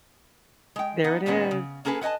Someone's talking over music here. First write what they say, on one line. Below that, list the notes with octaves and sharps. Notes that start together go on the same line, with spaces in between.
There it is.
G#3 G5
B3 D#4 F#5
A#2 D#3 G#3 A#3 B3 C#4
C#3
A#3 C#4 G#4 A4 B4 G#5
B3 B4 D#5 G#5 A5